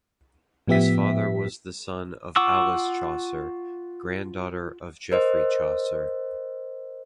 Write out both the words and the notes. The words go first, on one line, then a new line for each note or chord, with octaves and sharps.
His father was the son of Alice Chaucer, granddaughter of Geoffrey Chaucer.
A2 F3 B3 G4 E5 B6
F4 F#5 C#6 D6 E6
A#4 C5 D#5